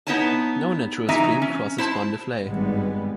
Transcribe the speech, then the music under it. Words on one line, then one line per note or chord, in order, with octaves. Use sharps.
No natural stream crosses Bondoufle.
B3 D#4 E4 C#5 G#5 A5
E3 F#3 D#4 E5 G#5 A#5
C#4
E4 C5 A5
G#1 G2 G3 G#3 B3